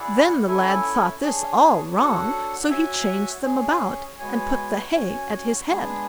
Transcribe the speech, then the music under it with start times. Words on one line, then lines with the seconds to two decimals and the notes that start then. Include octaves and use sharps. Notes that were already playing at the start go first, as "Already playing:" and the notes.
Then the lad thought this all wrong, so he changed them about, and put the hay at his head.
Already playing: E4 G#4 D5 F#5
0.46 C#4 E4 A4 E5 G#5
1.22 D4 G#4 C#5
1.96 D4 F#4 A4 C#5 F#5
2.69 F#4 C#5 E5 G#5
3.44 C#4 G#4 C#5
4.19 G#3 B3 F#4 C#5 G#5
4.93 C#4 F#4 C#5 G#5
5.67 G#3 B3 D4 G#4